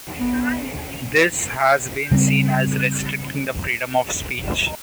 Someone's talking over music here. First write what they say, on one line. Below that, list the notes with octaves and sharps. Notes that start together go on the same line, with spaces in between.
This has been seen as restricting the freedom of speech.
B3
C#3 G3 A#3 C4